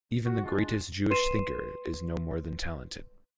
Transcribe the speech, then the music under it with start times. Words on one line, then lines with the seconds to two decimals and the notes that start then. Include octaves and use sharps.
Even the greatest Jewish thinker is no more than talented.
0.25 F#4
0.43 G#3 D4 F4
1.10 B4 C6 C7 D#7 E7